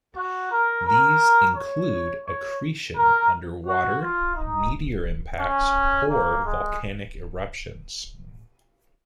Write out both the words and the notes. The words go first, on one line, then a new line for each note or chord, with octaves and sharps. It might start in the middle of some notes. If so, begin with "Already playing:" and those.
These include accretion under water, meteor impacts, or volcanic eruptions.
F#4
A#4
A#4
C#5
C#5
A#4
F#4
F4
D#4
C#4
A#3
G#3